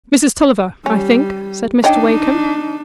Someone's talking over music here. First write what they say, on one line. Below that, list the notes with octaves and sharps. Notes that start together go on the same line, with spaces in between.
"Mrs. Tulliver, I think?" said Mr. Wakem.
G3 C#4
D4 D#4 C#5 D#5 G5